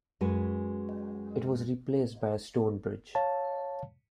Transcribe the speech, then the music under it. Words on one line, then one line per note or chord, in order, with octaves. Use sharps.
It was replaced by a stone bridge.
F#2 G#3 F#4 B4 G#5
C#5 F5 A5